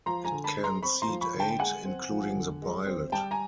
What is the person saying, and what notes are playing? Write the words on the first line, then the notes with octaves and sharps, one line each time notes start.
It can seat eight, including the pilot.
F3 A#5 C6
G#5 A#5
D3
A5 B5
G#3
A#5 C6
C4 B5 C#6
A#5 C6
F3
B5 C#6
D3
G5 A5
G5
G#3 F#5 G#5
C4
F3
D3
G#3
C4
G3 G5 A5
G#5 A#5